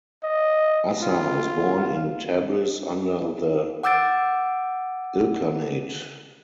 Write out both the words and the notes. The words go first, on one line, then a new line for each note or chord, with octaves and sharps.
Assar was born in Tabriz under the Ilkhanate.
D#5
F4
F#5 D6 E6 G6 A6 D7